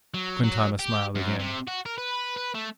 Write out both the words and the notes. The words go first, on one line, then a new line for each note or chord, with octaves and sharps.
Quintana smiled again.
F#3
F#3
G4
F#2
C3
F#4
A#4
B4
B4
A3